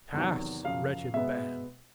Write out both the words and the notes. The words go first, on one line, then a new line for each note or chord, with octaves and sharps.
Pass, wretched band!
E2 C3 D#3 F#3
F#2 C#3 F3 F5
B2 G#3 B3 E5